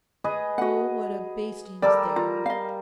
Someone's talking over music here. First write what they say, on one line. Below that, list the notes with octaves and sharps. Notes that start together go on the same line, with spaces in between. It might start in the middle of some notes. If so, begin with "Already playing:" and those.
Oh, what a basting's there!'
G#4 B4 D#5
F#4 F#5
G3 A4 A#4 D5
F4 A#5
D#5 F5